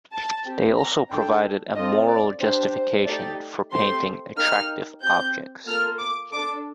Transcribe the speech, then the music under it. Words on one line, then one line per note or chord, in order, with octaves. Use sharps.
They also provided a moral justification for painting attractive objects.
A5
C4 G4
A#5
D4 A4 G5
C4 F4 A4 D#5
D5
D4 G4 C5
C5
A3 D#4 G4 D5
A3 C4 G4 C6
A#3 D#4 G4 F6
C4 G4 G6
A#3 F4 A4 F6
D6
D4 A4 D6